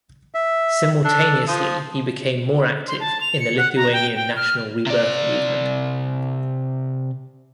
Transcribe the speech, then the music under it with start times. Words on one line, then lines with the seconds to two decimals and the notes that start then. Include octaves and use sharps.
Simultaneously he became more active in the Lithuanian national rebirth movement.
0.35 E5
1.05 D4 A4
1.48 F3 D#6
2.88 C6
3.00 A5
3.21 F7
3.40 C#7
3.58 F#5
3.76 A#5
3.92 G5
4.16 G5
4.36 F6
4.86 C3 D5